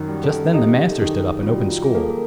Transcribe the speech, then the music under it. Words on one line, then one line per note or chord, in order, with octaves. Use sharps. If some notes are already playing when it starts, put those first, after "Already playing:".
Just then the master stood up and opened school.
Already playing: F#2 D#3
G3
A4
D#4 G4
G4
A4
D#3 G#4
G4
F4
G3 F#4
F4
G#4
A#3 A4
A#4